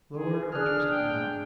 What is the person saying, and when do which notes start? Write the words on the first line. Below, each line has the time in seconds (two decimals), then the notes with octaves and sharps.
Lower interest on money!
0.16 G#4
0.52 D4 G#4 F6
0.91 G5